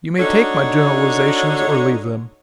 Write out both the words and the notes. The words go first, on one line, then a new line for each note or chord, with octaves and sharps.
You may take my generalizations or leave them.
D4 D#4 F#4 A4 C#5